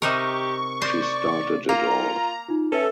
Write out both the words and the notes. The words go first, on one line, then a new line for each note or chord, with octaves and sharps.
She started it all.
C3 D#4 G4 A#4 C#6
C5 D5
A#3 F4 F5 A#5
D#4 F4
C#4 A4 B4 E5